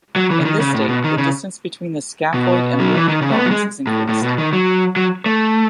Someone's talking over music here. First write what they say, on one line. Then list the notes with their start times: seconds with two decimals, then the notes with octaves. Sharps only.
In this state, the distance between the scaphoid and lunate bones is increased.
0.16 F#3
0.31 E3
0.40 C#3
0.45 D#3
0.60 C#3
0.74 A2
0.89 B2
1.04 D#3
1.18 C#3
2.34 B2
2.80 F#3
2.95 E3
3.08 D#3
3.22 C#3
3.31 A3
3.36 B3
3.46 F#3
3.51 G#3
3.87 A2
4.09 A2
4.23 B2
4.38 D#3
4.53 F#3
4.96 F#3
5.26 A3